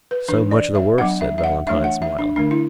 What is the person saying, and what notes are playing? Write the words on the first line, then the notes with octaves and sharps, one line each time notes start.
"So much the worse," said Valentine, smiling.
B4
E3 D4 B4
D5
E5
F#3 B3 D4 F#5
E5
E5
F#5
E3 A3 D4 E5
F#5
E5
D4
D3 A3 D4
E4